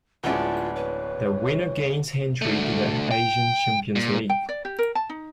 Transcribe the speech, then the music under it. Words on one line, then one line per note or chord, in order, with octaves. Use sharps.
The winner gains entry to the Asian Champions League.
D1 G#3 B3 C#4 D4 E4 F4
B4 C#5
D3 A3
G5
A#2
G5
D5
G4
A#4
A5
D#4